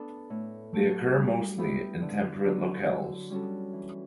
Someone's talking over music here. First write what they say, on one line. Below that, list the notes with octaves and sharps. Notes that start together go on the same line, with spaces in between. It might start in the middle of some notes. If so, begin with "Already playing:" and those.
They occur mostly in temperate locales.
Already playing: B3 D4 A4
A2
F#3 A3
G3
B3 E4 G4 B4
D3
F#3 B3 D4
D3
G3 C#4 F#4 A4
E3